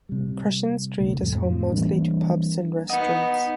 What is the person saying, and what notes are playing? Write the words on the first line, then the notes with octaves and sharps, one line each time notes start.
Crescent Street is home mostly to pubs and restaurants.
C3 G3
D2 C3 A3
F2 A2 F#3 C4
C4
E3 G3 A#3 D4
B3 D#4 D#5 F#5